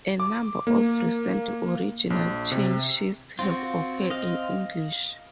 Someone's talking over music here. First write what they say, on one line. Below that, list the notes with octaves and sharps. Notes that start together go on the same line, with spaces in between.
A number of recent regional chain shifts have occurred in English.
D6
A#3
A#1
C3
C4 F4 F#4
D#5 F5